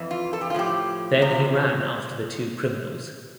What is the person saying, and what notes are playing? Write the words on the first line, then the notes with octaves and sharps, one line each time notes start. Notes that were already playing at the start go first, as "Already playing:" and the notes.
Then he ran after the two criminals.
Already playing: F2 E3
F4
A4
G4
F4
A2 F3 G4
E2 C3 F3